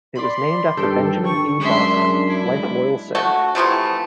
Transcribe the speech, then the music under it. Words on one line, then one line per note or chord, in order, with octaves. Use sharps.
It was named after Benjamin E. Barnard, life loyal Sig.
D5 B5 C6
G2 D#3 A4 G5
D3 C#6
F#2 G#3 D4 E5 C6
E4
A3 F#4
C3 E3 F3 A3